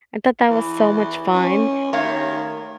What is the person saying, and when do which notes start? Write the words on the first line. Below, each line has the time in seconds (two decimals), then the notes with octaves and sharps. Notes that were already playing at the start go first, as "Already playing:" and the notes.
I thought that was so much fun,
0.50 E3
1.34 C#4
1.93 D#3 A3 C#5 F5